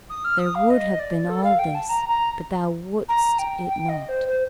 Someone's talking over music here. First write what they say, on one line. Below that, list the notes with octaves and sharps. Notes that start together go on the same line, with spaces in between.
There would have been all this--but thou wouldest it not.
D#6
F6
D#6
F5
D#5
D5
A4
F5
G5
A5
A#5
A#5
A#5
G5
G5
D#5
C5
C5